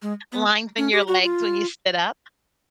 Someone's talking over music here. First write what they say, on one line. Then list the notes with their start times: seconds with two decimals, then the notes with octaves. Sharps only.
lines in your legs when you stood up?
0.02 G#3
0.32 B3
0.78 C#4
0.92 G4
1.08 F#4
1.23 F4